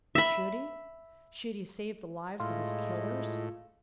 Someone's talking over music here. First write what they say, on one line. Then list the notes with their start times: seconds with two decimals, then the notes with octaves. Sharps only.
Should he? Should he save the lives of his killers?
0.15 E5 B5
2.40 A2 G#3 E4 F4 D#5